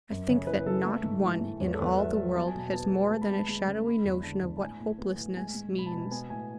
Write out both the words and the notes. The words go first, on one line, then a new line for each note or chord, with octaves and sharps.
I think that not one in all the world has more than a shadowy notion of what hopelessness means.
F#2
C#3 C#5
E3 B4
C#3 A4
A3
G#2
E3
G#2
E2 C#5
B4
A4
E2 B4
F#3 E5
F#3
B3 A5
G#5
B2 A5
B3 A5
G#3
G#3 A5
B5
B3 A5
G#3 A5
C#3
G#3 B5
E2
D3 A5
E2
A5
A2 G#5
A2
B3
A2
G#3 G#5
G#3
B2 B5
A5
B2
B3 G#5
A2 G#5